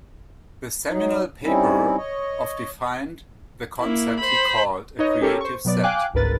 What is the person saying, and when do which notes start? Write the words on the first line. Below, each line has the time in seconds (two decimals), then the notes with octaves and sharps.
The seminal paper of defined the concept he called a Creative set.
0.89 F#3 D#4
1.43 G3 C4 C#4 D#4 E4
1.96 C#5 D#5
3.79 A#3 E4
4.20 C5 B5
4.99 D#4 B4 C#5 D#5
5.21 C#4 G4 A4 A#4 C#5
5.40 C5 C#6
5.65 B2 F#3 B3 D5
5.83 F5 G5 G#5 D6 F#6
6.14 G1 C#2 G#2 A#4 B4 A6